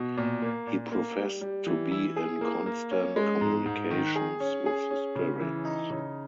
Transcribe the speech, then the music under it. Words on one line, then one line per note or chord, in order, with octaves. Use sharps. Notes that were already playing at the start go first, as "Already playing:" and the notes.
He professed to be in constant communications with the spirits.
Already playing: B2
A#2
A#3
A#2
A#3
G3
G3
E3
E4
G#4
A#3
A#3
C#4
G#3
G#2
G#2
D#3
G#4
C#4
G#4
C#4
C#3
E3
D#4
C#3